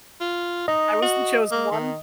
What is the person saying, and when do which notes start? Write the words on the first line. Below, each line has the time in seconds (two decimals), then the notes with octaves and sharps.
I was the chosen one.
0.21 F4
0.68 D#4 D#5
1.02 F#4
1.52 A#3
1.72 D#3